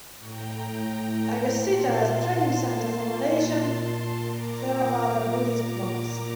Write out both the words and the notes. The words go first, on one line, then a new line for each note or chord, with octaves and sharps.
Aggacitta as a training centre for Malaysian Theravada Buddhist monks.
A2 G5 A#5
A2
A#2 A5 C6
A#2
A#2
A#2
A#2 A#5 D6